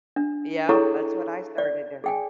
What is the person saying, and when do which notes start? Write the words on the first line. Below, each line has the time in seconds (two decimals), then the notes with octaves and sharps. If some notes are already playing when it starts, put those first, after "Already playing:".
Yup, that's what I started to
0.16 D4
0.69 E4 G#4 A4 C#5 A#5 C#6
1.58 D5
2.04 G#4 G5 G#5